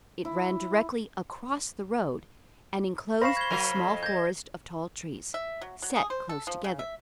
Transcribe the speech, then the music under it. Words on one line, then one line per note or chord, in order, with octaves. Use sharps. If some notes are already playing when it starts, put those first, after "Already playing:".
It ran directly across the road and enclosed a small forest of tall trees, set close together.
E4
C5 F5 B5 C#6 A#6 C7 E7
G#6 G7
F#3 A#4
F2
G6 G#6 A#6
E5
F#3
F#3
G#4
C5
A4
F3
C#3
E5